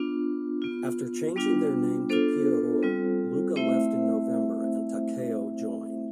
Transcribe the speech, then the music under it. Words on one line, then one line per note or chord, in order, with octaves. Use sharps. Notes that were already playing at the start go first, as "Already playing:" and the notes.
After changing their name to Pierrot, Luka left in November and Takeo joined.
Already playing: B3 D4 F4
B3 F4
G3 B3 D4 F4
B3 D4 F4 A4 C5
G3 C4 F4
A3 C4 E4 C5 E5